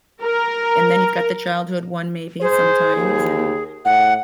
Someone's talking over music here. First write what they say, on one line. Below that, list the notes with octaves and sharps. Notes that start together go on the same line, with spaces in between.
and then you've got the childhood one maybe sometimes and
A#4
G#4 C5
D#2
A2 F#5